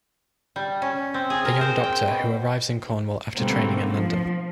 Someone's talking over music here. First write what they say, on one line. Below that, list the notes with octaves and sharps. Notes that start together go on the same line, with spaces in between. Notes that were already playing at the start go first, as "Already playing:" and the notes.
A young doctor who arrives in Cornwall after training in London.
G3
C#4
C4
G#4
A#4
C5
G5
B2
B2 D3 G3 A3 A#3 C4
F3